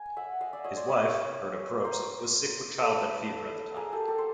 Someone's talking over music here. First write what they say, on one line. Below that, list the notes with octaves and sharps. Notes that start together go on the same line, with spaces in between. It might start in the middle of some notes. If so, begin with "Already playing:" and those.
His wife, Herta Probst, was sick with childbed fever at the time.
Already playing: G#5
E5 F#5
D#5 F5
D5 E5
C#5 D#5
C5 D5
B4 C#5
A#4 C5
A4 B4
G#4 A#4
G4 A4
G4 A4
C5